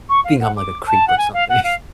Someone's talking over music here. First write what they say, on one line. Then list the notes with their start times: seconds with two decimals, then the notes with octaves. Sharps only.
think I'm like a creep or something.
0.09 C#6
0.24 F5
0.40 F#5
0.56 D6
0.87 A5
1.07 F#5
1.18 G#5
1.33 F5
1.49 F#5
1.64 F5